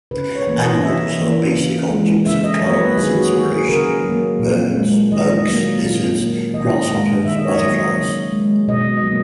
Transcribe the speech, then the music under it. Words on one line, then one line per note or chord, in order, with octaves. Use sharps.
Animals are basic objects of Kalmar's inspiration: birds, bugs, lizards, grasshoppers, butterflies.
C#3 B4
C#5
E3 A#3
D#5
C#3 E5
E3 A#3
C#3
E3 G#3
C#3 E5
D#5
F#3 A#3 C#5
B4
D#3 G#4
F#4
A#3 F#4
G#4
C#3 A#4
F#3 A#3
A#2
G#3
D#3 D#5
F#3 A#3
A#2
A#3
D#3 D#5
G#3
D#3 E5
D#5
C#5
D#5
F#3 A#3
C#3
G#3
B2 D#5
F#3 A#3